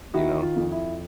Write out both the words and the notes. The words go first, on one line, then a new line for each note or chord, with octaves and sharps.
you know?
D#3 E4 F#4
F4
F2
E4